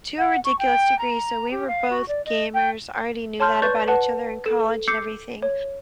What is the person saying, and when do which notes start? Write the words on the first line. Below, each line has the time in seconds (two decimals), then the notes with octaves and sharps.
to a ridiculous degree, so we were both gamers, already knew that about each other in college and everything.
0.18 F#5
0.44 C#6
0.59 G5
0.99 A#5
1.51 G4
1.67 F5
1.90 F#4
2.08 D5
2.25 D#5
2.54 G5
3.40 C#5 A5 C6 F6 G6
3.62 B4 D5 C#6 G6 A6
3.88 B4 F#5 A5
4.46 A4 E7
4.88 D6 E6 G6 C7 C#7
5.42 C#5